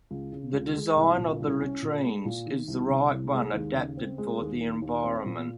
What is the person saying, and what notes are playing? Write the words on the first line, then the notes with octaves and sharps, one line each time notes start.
The design of the latrines is the right one adapted for the environment.
C#2
C#3
C#2
G#3
C2
A#2
C2
C#4
A#2
G#3
A#2
D#3
C2
C3
C2
G#3
D#2
C#3
C4
G#3
D#2
D#3
D#2
C4
A#2